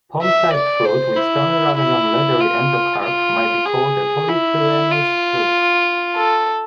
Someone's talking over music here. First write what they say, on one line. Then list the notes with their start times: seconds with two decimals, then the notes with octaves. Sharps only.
Pome-type fruit with stony rather than leathery endocarp may be called a polypyrenous drupe.
0.22 E5
0.54 D5
0.85 C5
1.16 E4
1.78 E4
2.40 F4
3.03 F4
3.65 G#4
4.28 E4
4.91 F4
6.17 A4